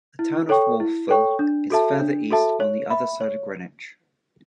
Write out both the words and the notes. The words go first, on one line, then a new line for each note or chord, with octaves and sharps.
The town of Wolfville is further east on the other side of Greenwich.
E4
A4 C#5 G5 C#6
E4
A4 C#5 G5 C#6
D4
F#4 A4 E5 A5
D4
F#4 A4 E5 A5
C#5
E5 B5
C#5